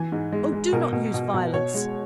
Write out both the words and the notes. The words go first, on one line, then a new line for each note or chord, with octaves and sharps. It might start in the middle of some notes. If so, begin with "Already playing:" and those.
'Oh, do not use violence!
Already playing: E3 G#5
G#2
G#3
G#3
B2 A#4
B2
B2
B2
B2 C#5
G#3